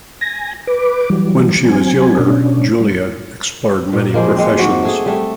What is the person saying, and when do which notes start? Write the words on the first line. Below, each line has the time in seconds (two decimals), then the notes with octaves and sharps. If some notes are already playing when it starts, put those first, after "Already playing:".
When she was younger Julia explored many professions.
0.21 G#5 A#6
0.67 B4 D6
1.10 E3 F#3 G3
1.63 F#3 C4 G#5
2.19 B2 C#4 D4
2.81 G3
3.93 A#2
4.14 F3 G#3 A#3
4.35 G#3 C4
4.59 G#2 F#4
4.82 A3 G#4
5.06 G3 A3